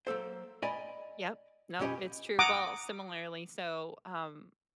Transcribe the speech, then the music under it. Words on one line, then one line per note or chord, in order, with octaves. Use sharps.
Yep, nope, it's true, well, similarly, so, um,
F#3 A#3 A4 C5
D5 D#5 G#5 A#5 B5
B1 F2 C#4 G4 D#5 B5
F#5 A#5 D6 D#6